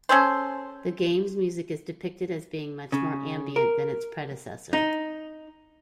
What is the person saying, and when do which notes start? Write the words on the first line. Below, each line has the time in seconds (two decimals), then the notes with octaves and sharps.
The game's music is depicted as being much more ambient than its predecessor.
0.09 C#4 G#4 A4 C5
2.92 C#3
3.56 A#4
4.73 D#4